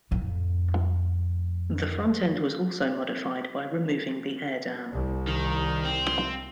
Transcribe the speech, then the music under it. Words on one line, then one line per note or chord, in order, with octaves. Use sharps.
The front end was also modified by removing the air dam.
F2 A2
C2
D#3
C4